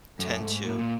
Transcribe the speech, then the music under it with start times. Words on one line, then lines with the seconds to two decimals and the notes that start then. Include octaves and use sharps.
tend to,
0.19 F#2 A3
0.42 G#2
0.63 A2 A#3
0.79 A#2